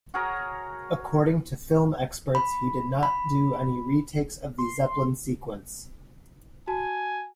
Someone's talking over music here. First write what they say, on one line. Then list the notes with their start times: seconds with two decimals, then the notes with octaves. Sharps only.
According to film experts, he did not do any retakes of the Zeppelin sequence.
0.14 F#4 G#4 A#4 C#5
2.35 B5
3.03 B5
4.58 C6
6.68 F#4 G#5 A5